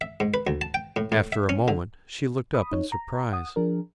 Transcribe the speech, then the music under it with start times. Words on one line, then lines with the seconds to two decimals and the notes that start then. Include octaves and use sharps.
After a moment she looked up in surprise.
0.01 E5
0.20 G#2
0.34 B4
0.47 D2
0.61 A5
0.74 G5
0.96 A2
1.12 A2
1.32 E5
1.49 C#4
1.68 D3
2.54 B5 D#6
2.72 D#4 C#5
2.92 A#5
3.32 F#5 D#6
3.56 F3 D4 G#4 A#4